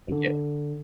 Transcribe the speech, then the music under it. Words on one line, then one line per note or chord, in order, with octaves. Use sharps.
And get
D3